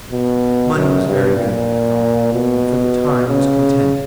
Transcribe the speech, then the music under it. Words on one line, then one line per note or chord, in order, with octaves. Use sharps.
Money was very good, I thought, and for the time was content.
B2
F#2
G2
A#2
B2
C#3